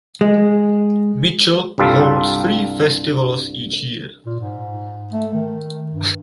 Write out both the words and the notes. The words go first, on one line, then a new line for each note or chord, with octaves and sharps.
Mitchell holds three festivals each year.
G#3
C2 G2 G3 F4 A4
A#2
G#2
A3
D#3
G2